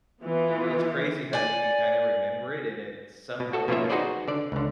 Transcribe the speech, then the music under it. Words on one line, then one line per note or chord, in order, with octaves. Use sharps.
uh, it's crazy how you can kinda remember it, and it's somehow different now.
E3 B3 F4
D5 G#5
B2
F#4 A4
B2 F3 A#3 C#4 F4 E5
D#4 F#4 G#4 B4 C5 D5
D3 D5
C#2 D3